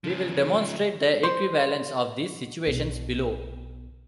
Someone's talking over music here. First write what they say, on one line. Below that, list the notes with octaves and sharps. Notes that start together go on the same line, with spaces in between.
We will demonstrate the equivalence of these situations below.
C#3 F3
C5
B1 B2